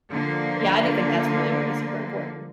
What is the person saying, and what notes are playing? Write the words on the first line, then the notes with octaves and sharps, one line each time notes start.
yeah, I do think that's really, really super important.
D3 F3 A#3